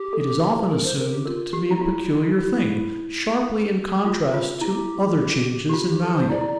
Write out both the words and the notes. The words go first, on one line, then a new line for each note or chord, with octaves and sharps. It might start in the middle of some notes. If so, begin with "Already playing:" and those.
It is often assumed to be a peculiar thing, sharply in contrast to other changes in value.
Already playing: G4
A4
A#4
C5
A#4
G4
F4 A#4
G4
E4
E4 F4
F4
F4
E4 G4
G4
F4
G4
A4
C5
E4 D5
E4